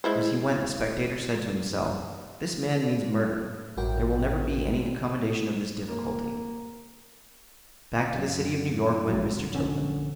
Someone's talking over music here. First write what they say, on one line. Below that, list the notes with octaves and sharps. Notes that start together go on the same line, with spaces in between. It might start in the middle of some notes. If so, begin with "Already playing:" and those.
As he went the spectator said to himself, "This man means murder; there will never be any accommodation of this difficulty." Back to the City of New York went Mr. Tilden.
G#3 E4 C5
A1 G2 F#4 A#4 G5
A#3
F#2
A#1 F#3
D1
A#1 D3 C#4